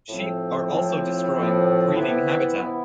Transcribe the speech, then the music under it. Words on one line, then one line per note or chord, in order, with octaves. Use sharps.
Sheep are also destroying breeding habitat.
A2 F3 C4
A2 F3 C4
A2 F3 C4
C3 E3 B3 E4
C3 E3 B3 E4